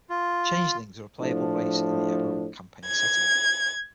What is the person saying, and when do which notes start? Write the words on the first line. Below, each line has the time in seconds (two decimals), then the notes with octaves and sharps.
Changelings are a playable race in the Eberron campaign setting.
0.10 F4
1.20 A2 F3 D4
2.86 G#6